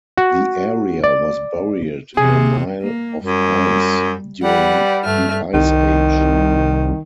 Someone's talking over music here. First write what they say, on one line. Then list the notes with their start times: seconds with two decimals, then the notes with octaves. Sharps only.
The area was buried in a mile of ice during the ice age.
0.18 F#4
1.04 D5
2.17 C3 G#4
2.82 A#3
3.24 F#2 G3
4.42 G3 B4 F#5
5.03 G2 A3 F6
5.54 C2 D#3